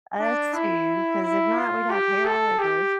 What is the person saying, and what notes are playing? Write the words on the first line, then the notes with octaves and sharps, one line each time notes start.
Us too, 'cause if not, we'd have hair all over us.
D4
E4
E4
F4
G4
A4
G4